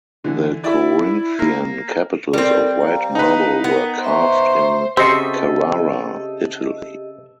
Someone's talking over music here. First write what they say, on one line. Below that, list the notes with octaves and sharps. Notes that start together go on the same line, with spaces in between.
The Corinthian capitals of white marble were carved in Carrara, Italy.
D3 E3
E4 D5 E5
A#3
G3 C4 A4 A#4
F5 A#5
D#4 B4
B3 A#4 G5
C5 E5 A#5 C#6
C#3 C4 F#4 G4 A4 C5 D#5 E5